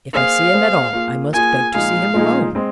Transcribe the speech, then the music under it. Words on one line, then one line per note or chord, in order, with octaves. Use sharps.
"If I see him at all, I must beg to see him alone."
A#3 G#4 C5 F5
A#3 G#4 C5
A#3 F4 G#4
A#3 F4 G#4 G#5
A#2 F3 G#3 D#4 G#4 F5
A#2 F3 G#3 D#4 G#4
G#3 C4